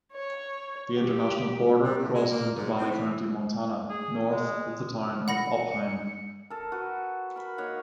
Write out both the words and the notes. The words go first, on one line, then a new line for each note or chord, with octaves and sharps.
The international border crosses into Valley County, Montana, north of the town of Opheim.
C#5
G4
G3
A2
G#3
A#3
G#2
C4
E3
G#4
G#3
F#5 B5 A#6 C#7
A4 A#4
F#4 B4
A#4 B5
A#3 D#4 C#5 F#5